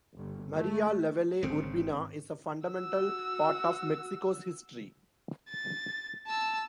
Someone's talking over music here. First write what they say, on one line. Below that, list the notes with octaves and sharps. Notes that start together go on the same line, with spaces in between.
Maria Lavalle Urbina is a fundamental part of Mexico's history.
G1
A3
G#1 C#3 C4
F#4 E6
A6
A5 E6